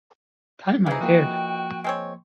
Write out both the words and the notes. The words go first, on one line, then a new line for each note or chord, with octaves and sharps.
Time I did.
E3 D#4 G#4
F3 A#3 F#4 G5
G#3 C4 C#5